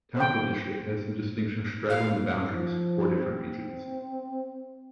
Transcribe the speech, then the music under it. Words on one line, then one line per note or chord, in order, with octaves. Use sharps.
Taupo District has the distinction of straddling the boundaries of four different regions.
C5 G5
F5
F3
C4